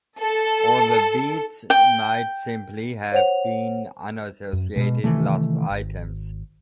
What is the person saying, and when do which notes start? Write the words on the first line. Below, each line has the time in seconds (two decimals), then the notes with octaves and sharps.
Or the beads might simply have been unassociated lost items.
0.20 A4
1.70 G5
3.12 C5 C#5 F#5 F7
4.53 F#2
4.76 B2 G#3
5.04 C3 D#3 E3 A3
5.70 G#1